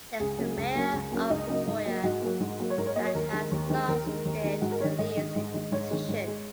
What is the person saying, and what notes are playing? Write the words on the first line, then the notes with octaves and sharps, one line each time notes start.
Is the mayor of Vitoria that has lasted the least in the position.
C#2 G#4
C#3 F#3 A#3
C#2
C#3 F#3 A#3
C#2
C#3 F#3 A#3
C#2 D#4
C#3 F#3 A#3
G#2
F#3 A#3
G#2 F#4
F#3 A#3
G#2
F#3 A#3
C#5
G#2 A#4
C#5
F#3 A#3 D#5
C#5
D#2 A#4
D#3 G#3
D#2
D#3 G#3
D#2 A#4
D#3 G#3
D#2
D#3 G#3
G#2 F#4
A#4
D#3 G#3 C#5
G#2 D#5
D#3 G#3
G#2
D#3 G#3
G#2 C#5
D#3 G#3
G#2
G#3